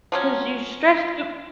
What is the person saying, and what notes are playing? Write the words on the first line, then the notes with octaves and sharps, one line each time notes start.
'Cause you stress too
F3 F#3 C#4